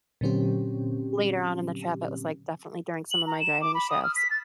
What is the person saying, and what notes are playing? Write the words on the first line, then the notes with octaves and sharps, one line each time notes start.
later on in the trip, it was, like, definitely during some of my driving shifts,
A#2 D3 F#3 C4 C#4 G4
F#7
A#5
E7
D6
B5
D#6
F6
B6
A6